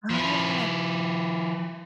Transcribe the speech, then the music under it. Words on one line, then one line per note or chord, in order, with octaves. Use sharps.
Oh yeah.
F3 E4